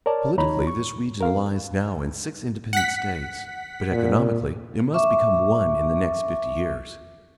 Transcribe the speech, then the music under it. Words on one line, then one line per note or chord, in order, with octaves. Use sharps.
Politically this region lies now in six independent States, but economically it must become one in the next fifty years.
A#4 C#5 D5 A5
D#2 D#4 C#5 A#5 B5
C#6
A#4 F5
F#5 B6
A#2
E5 C#6 D6